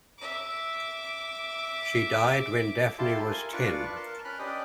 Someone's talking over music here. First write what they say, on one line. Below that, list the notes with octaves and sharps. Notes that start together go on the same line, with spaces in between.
She died when Daphne was ten.
E5 D6
E4 F4 G4 A4 A5 C6
A#4 G#5
D4 F4 B4 D5 F5 C#6
A#4 A5 C6
C#4 B4 B5 F6 F#6
C#4 D4 G4 D5 D#5 G5